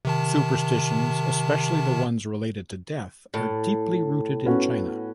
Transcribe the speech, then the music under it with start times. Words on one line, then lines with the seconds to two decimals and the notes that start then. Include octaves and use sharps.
Superstitions, especially the ones related to death, are deeply rooted in China.
0.05 C3 D#3 A5
3.34 A2
4.45 B3 C#4 F#4